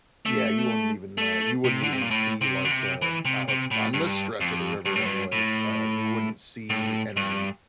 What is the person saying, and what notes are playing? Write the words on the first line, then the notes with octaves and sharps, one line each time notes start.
Yeah, you wouldn't even, uh you wouldn't even see, like, uh o o on this stretch of the river anyway, uh, you wouldn't see any
A3
A3
C3
D3
C3
A#2
A2
C3
D3
C3
E3
C3
C3
A2
G2
F2
G2
A2
G2
A2
A2
G2